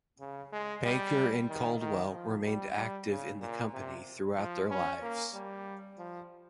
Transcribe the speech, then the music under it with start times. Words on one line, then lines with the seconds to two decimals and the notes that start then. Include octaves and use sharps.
Banker and Coldwell remained active in the company throughout their lives.
0.20 C#3
0.52 G#3
0.84 G3
1.49 D#3
1.80 D#3
2.12 F3
2.45 G3
2.77 G3
3.09 C#3
3.41 A#2
3.73 C3
4.37 F3
4.70 C#4
5.02 A#3
5.33 G3
5.98 F3